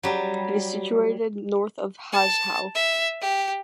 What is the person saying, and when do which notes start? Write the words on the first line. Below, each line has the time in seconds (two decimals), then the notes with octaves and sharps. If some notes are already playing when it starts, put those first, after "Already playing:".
It is situated north of Hezhou.
0.03 F#3 G3
2.12 A5
2.75 E5
3.21 G4